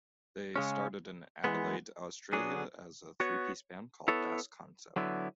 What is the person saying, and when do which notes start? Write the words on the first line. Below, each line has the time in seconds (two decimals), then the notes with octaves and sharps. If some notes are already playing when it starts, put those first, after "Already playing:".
They started in Adelaide, Australia as a three-piece band called "Das Concept".
0.56 C#3 G#3 C#4
1.44 E3 G#3 B3
2.33 F#3 B3 D4 G#4
3.20 B3 F#4 C#5
4.08 B3 E4 A4 C#5
4.96 D3 F#3 B3 E4